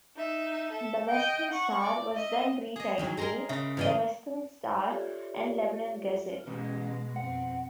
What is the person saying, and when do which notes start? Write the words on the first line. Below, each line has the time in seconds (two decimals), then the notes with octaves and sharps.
"The Western Star" was then retitled "The Western Star and Lebanon Gazette".
0.16 D#4 E5
0.71 A4 E5
1.07 D#5 G5
1.51 F#5 C#6
1.83 D5
2.14 D#5 E5
2.76 G#4 D#5
2.98 D#3 E3 F#3 D4
3.17 G#3 G#4 A#4 A#5 C6
3.49 C#3 E5
3.77 E2 A#2 F4 G#4 B4 D5 D#5 G5
4.90 F4 G4 A4 C#5 D5 E5
6.47 B2 E3 G#3 C#4 B4
7.16 F2 C4 F#5